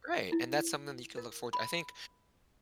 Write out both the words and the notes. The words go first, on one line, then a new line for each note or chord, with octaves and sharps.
Great, and that's something that you can look forward to I think
E4
A#4
B5